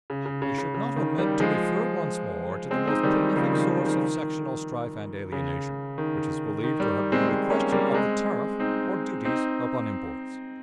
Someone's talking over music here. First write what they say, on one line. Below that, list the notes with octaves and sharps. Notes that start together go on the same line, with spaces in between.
We should not omit to refer once more to the most prolific source of sectional strife and alienation, which is believed to have been the question of the tariff, or duties upon imports.
C#3
C#3
C#3
C#3
C#3
D#3
D#3 G3
F3 G#3
G#3 C4
C4 D#4
D#3 G3
C#3 F3
D#3
D#3
D#3
C#3
D#3
D#3
D#3 G3
G#3 C4
G#3 C4
A#3 C#4
G3 A#3
G#3 C4
C4 D#4
C4 D#4